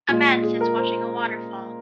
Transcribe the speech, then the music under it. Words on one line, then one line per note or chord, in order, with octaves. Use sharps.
A man sits watching a waterfall.
A#2 G#3 F4
G#4
A#4
C5